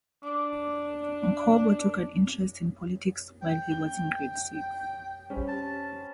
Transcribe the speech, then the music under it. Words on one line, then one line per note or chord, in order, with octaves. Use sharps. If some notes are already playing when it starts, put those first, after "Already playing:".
Ngcobo took an interest in politics while he was in grade six.
D4 D5 D6
G5
G7
G3 C4 C#4
A5